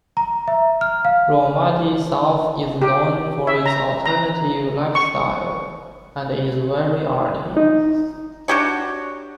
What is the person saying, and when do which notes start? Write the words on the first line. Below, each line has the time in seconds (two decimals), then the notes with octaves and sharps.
Raumati South is known for its alternative lifestyle, and is very arty.
0.17 A#5
0.48 E5
0.81 F6
1.05 F5
2.82 G4
3.47 E5
3.66 A#5
4.06 A#5
4.95 C#6
7.57 D#4
8.48 D4 F#4 G4 C#5